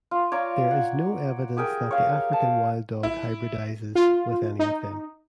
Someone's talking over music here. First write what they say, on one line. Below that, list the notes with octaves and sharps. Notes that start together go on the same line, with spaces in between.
There is no evidence that the African wild dog hybridizes with any of them.
F4
C#5 D5 F5 A#5
F#5
G4 G#4 A#4 G5
C#5 F5
A5
E4
F4
D#4